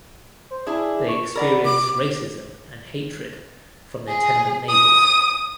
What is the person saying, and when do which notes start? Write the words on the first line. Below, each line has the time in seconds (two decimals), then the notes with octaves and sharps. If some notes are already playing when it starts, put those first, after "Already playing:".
They experience racism and hatred from their tenement neighbors.
0.51 C5
0.66 D4 E4 G#4
1.08 C#6
1.35 A#4 D5 F#5 B5
1.65 C3 D6
4.08 G#4
4.69 D#6